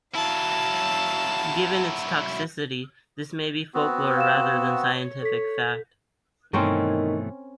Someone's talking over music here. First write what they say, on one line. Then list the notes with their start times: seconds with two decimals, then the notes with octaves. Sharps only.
Given its toxicity, this may be folklore rather than scientific fact.
0.15 F#3 E4 F5 A5
3.74 B3 C4 F#4
4.17 F5 E7
4.94 C#5 C#6
5.22 A4 B6
6.53 G2 B2 D#3 E3 A3 C4 C#4 A#4